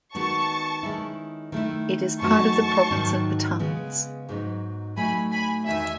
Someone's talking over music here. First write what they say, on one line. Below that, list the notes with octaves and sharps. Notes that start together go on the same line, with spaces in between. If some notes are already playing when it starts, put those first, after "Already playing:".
It is part of the province of Batanes.
D#3 G#3 B3 F#4 A5 C#6
D#3 G#3 C#4 E4
D#3 A3 E4
F#2 E3 A3 D#4 F#4 A5 C#6
G#2 D#3 F#3
C#3 G#3 B3
G#2 F#3 B3 D#4
A2 F#3 A3 D#4 G#5 B5
G#5 B5
E2 D#3 A3 D#4 F#4 E5 G#5